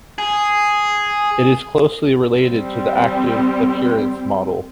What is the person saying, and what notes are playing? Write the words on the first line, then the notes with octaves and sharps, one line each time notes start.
It is closely related to the active appearance model.
G#4
G3 C4